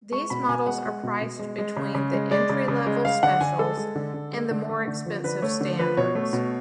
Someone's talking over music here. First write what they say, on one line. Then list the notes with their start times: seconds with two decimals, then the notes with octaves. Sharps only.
These models are priced between the entry-level Specials and the more expensive Standards.
0.11 G#3 C#6
0.30 B2 B5
0.48 B2 G#5
0.66 G#3 F#5
0.86 G#3
1.03 B2
1.21 B2
1.39 G#3
1.58 G#3
1.76 C#3
1.95 C#3
2.13 G#3
2.31 G#3 D5
2.49 C#3
2.68 C#3
2.87 G#3
3.05 G#3 F5
3.23 D3 F#5
3.41 D3 G#5
3.59 G#3 A4
3.77 G#3
3.95 D3
4.14 D3
4.33 G#3
4.51 D3
4.69 A3
4.88 D3
5.06 F3
5.24 D3 B4
5.42 A3 C#5
5.61 D3
5.79 F3 B4
5.97 B2 C#5
6.15 A3
6.33 B2